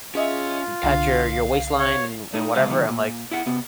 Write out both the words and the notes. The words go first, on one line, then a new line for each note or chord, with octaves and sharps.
pat your your waistline and and whatever." I'm like
C#4 F4 G#4 D#5 E5
C2 D3 F5
C#5
A3 D#4
F2 C#3 G#3 C5 F5
C#2 F#2 B2 D#3
A#2
E4 E5 F#5
C3 B3